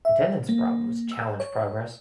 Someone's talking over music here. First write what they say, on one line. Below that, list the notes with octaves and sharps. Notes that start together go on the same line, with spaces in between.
Attendance problems challenge progress.
E5
A#3
E6
C#5